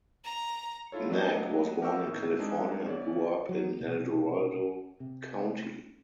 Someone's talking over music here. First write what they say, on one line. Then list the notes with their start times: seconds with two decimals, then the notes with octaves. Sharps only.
Nag was born in California and grew up in El Dorado County.
0.24 A#5
0.92 E4 F4 A4 C#5
1.09 F#3 A3 D4 B4 C#5 D#5
1.81 G4 A#4 E5 F#5 C#6 E6
2.06 A2 D#3
2.38 G#3 C4 D4 D#4 G#4
2.86 G1 C#5 D5
3.49 F#3
3.80 C2 B2
5.00 C3